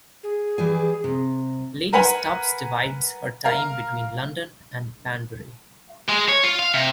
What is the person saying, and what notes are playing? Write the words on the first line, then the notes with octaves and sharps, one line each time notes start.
Lady Stubbs divides her time between London and Banbury.
G#4
E3 G3 G#5
C3
A#4 B4 F#5 G#5 B5
A#4 F5
G#3
C#5
F4
F5
C3